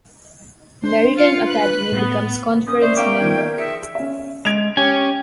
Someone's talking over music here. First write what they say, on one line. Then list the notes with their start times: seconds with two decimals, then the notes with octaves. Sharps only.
Maritime Academy becomes conference member.
0.84 D4 C5
1.15 F4 F5 C#7
1.47 B4 F#6
1.92 A2 B3
2.67 A#3 C#4 A#4 D#6
2.82 C5 D5 E5 C#6
2.96 B3 A#4 F5 G5 A#5 C#6 D6
3.20 D#3 F3 A#4 G#6
3.58 G#4 E5 C#7
3.95 C#4 E5
4.45 G#3 G#6 D7 F7
4.77 C#4 G4 G#5